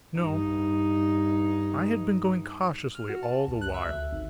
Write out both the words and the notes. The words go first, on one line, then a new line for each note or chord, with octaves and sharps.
No, I had been going cautiously all the while.
G2 D#4
F6
F#4
A5
C#2
F#6
E5
D2
G#1